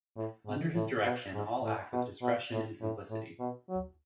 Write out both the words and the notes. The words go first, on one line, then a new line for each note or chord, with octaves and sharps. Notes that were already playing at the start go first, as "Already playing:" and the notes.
Under his direction all act with discretion and simplicity.
A2
G#2
A2
B2
G#2
A2
B2
B2
A2
A2
A2
B2
F#3